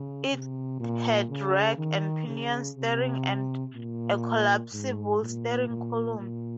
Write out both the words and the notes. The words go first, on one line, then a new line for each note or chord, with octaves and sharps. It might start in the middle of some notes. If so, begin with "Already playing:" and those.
It had rack-and-pinion steering and a collapsible steering column.
Already playing: C#3
C3
A#2
C#3
D#3
C#3
C3
A#2
G#2
A#2
A#2
A#2